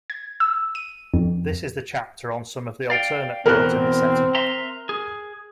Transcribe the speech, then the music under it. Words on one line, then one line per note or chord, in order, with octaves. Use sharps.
This is the chapter on some of the alternate worlds in the setting.
G#6
E6
D#7
F2
D5 F5 G5
E2 B2 E3 C4 A#4 F#6
E5 A#5 C6
G#4